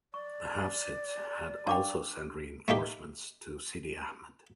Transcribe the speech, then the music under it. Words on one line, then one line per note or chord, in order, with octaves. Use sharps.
The Hafsids had also sent reinforcements to Sidi Ahmed.
D5 C#6
D4 F5 G5 C#6 D6
A3 A#3 D#4 G4